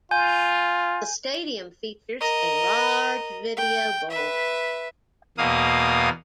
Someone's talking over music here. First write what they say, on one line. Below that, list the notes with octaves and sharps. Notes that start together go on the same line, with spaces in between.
The stadium features a large video board.
F4 G#5 G6
A#4 D#5
G5
B4 E5
E2 B2 A#3 F5 D#6